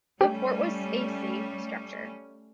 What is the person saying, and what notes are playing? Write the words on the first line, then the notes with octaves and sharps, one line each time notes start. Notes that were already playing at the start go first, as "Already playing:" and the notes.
The Fort was a safe structure.
G3 A3 C#4 G4